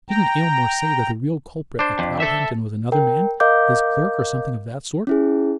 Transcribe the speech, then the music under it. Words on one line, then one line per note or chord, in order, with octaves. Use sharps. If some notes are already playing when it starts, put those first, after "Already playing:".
"Didn't Aylmore say that the real culprit at Cloudhampton was another man--his clerk or something of that sort?"
G5 A#5
D4 C5
F2
A4 E5
A#4 G5
A#4 D#5 F5 D6 G6
C#4 E4 G#4